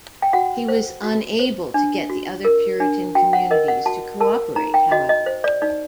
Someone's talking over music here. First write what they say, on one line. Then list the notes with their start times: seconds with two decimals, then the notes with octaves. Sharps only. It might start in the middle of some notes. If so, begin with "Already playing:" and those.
He was unable to get the other Puritan communities to cooperate, however.
0.22 G5
0.33 F#4 F#5
0.68 C5
1.03 F#4
1.39 C5
1.74 D4
2.10 F#4
2.45 A#4
2.80 D4
3.15 F#4 G5
3.33 F#5
3.51 A#4 D#5
3.68 F#5
3.86 F#4 A5
4.20 A#4 A5
4.56 D#4 A#5
4.74 G5
4.91 F#4 D#5
5.09 D#5
5.26 C5
5.44 D5
5.62 D#4 D5